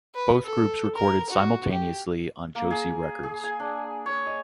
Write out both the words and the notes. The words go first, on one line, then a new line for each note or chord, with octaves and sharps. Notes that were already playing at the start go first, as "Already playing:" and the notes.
Both groups recorded simultaneously on Josie Records.
B4
A4
A#4
F#4
G4
A#3
G#4
G#4
G#5
D4
C#5
D#5